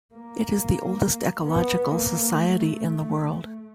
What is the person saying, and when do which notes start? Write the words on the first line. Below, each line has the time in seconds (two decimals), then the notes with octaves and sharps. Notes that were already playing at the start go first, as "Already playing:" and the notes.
It is the oldest ecological society in the world.
0.15 A#3
1.46 B3
1.91 A#3
2.33 A3